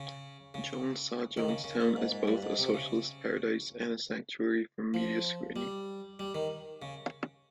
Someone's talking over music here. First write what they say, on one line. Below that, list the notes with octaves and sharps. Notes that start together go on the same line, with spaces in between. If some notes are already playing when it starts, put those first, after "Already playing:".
Jones saw Jonestown as both a "socialist paradise" and a "sanctuary" from media scrutiny.
Already playing: C#3
C#3
D#3
C#3
C#3
A#2
G#2
G#2
G2
G#2
C3
C#3
F3
G3
G3
D#3
C#3